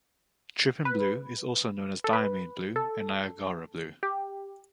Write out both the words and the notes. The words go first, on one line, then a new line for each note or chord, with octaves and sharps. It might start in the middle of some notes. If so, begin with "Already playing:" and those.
Trypan blue is also known as diamine blue and Niagara blue.
B4
A4
B4
A4
G4